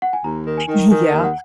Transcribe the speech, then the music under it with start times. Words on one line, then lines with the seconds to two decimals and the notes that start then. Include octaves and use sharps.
Y yeah,
0.02 F#5
0.13 G#5
0.24 D#2 A#5
0.46 D#3
0.58 G#5
0.68 D#3
0.90 D#3 G#5
1.13 D#2
1.24 F#5